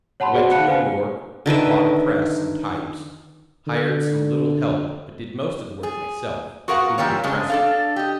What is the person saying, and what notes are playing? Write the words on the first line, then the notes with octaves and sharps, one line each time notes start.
I went to New York, bought a press and types, hired some little help, but did most of the work myself, including the press-work.
C#5 F#5 A5 B5 C6
F#4 G#4 C5 D5 F#5
F5 F#5 A5 B5 F#6 C#7
B4 C5 F5 G#5 A5
D3 D#3 B4 E5
D3
G#4
F#4 G#4 A#4 B4 F5 F#5
E3 G3 A#3 F4 C#5
C#3 G#3 D4
D4 A4 F5
G4 D#5